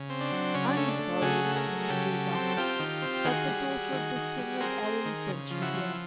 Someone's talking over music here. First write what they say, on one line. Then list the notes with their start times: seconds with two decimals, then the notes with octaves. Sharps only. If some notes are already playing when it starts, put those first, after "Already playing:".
"I'm sorry," said the Gruagach, "that the daughter of the king of Erin sent you here."
Already playing: C#3
0.10 C4
0.21 D4
0.32 F#3
0.54 C#3 C#4
0.66 D4
0.77 A3 C#4
0.88 D4
0.99 A3
1.22 C#3 F#4 G#4
1.44 A3
1.56 G#4 A#4
1.68 F#3
1.89 C#3 G4 A4
2.12 F#3
2.35 C4
2.57 C4 F4 G4
2.79 D#3
3.02 C4
3.25 D#3 F#4 G#4
3.47 G3
3.70 G3
3.92 D#3
4.16 D#3
4.38 G3
4.60 C4 G#4 A#4
4.83 C4
5.05 D#3
5.28 C#3
5.50 F3
5.61 E4 F#4
5.73 F3